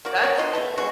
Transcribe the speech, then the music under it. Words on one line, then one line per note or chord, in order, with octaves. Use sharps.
That's cool.
A#3 F#4 D5
A#4 C#5 D5
B3 D4 F4 D#5
A3 B3 A5
B2 G#3 F#4 C#6